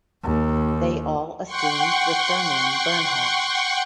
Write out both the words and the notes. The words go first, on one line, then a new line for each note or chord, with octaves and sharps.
They all assumed the surname Bernhoft.
D#2
F#5 G5 C6 C#6